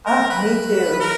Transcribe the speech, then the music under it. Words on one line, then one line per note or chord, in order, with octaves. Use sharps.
Uh, me too.
A#4
B4
A#4